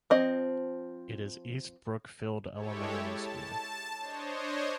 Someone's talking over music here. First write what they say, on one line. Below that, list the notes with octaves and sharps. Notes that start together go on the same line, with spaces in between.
It is East Brookfield Elementary School.
F3 C4 D#5
G#3 E4 G4 A4 C#5
A5
D4 C5 C#5 D#5